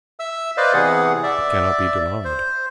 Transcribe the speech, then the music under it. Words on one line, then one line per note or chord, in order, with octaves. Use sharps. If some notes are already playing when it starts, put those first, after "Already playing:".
'It cannot be denied.'
E5 E6
B4 C5 D5 D#5 F5
C3 E3 B3 G#4 F#5
D5 E5
C5